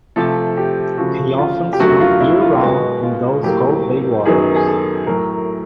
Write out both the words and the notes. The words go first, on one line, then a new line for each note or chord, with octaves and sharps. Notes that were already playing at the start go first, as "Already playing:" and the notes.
He often swam year round in those cold Bay waters.
C3 F3 A3 A4
G4
C#3 F3 A3 F#4
F4
G4
F#2 D3 F#3 A3 F#4
F4
E4
F4
B2 G#3 B3 F#4
F4
A2 F#3 A#3 G4
F#2 D#3 F#3 B3 G#4
G#4
A4
A2 F#3 A3 A#4